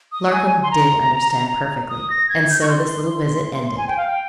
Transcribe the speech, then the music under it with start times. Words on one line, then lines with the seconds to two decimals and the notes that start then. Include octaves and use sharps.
Larcom did understand perfectly, and so this little visit ended.
0.12 D#6
0.32 G#5
0.52 G#5
0.63 C6
0.71 A#5
1.90 D#6
2.10 A#6
2.29 G#6
2.50 G6
2.62 C#6
2.70 C6
3.67 C6
3.78 G#5
3.88 G5
3.97 F5
4.07 G5